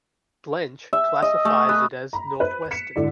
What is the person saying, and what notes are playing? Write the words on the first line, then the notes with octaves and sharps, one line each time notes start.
Blench classifies it as "Northwestern".
E5
D#5
A3
B4
A#5 B5
B4 C5 F#6
B6 C#7 E7
G#1 D3 E4 D5